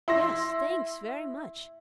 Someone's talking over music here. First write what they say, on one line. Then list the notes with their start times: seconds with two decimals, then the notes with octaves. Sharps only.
'Yes, thanks, very much.
0.08 E4 C6 E6 A#6